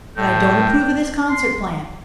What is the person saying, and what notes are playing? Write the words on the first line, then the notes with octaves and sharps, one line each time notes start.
But I don't approve of this concert plan.
A2 G5
C6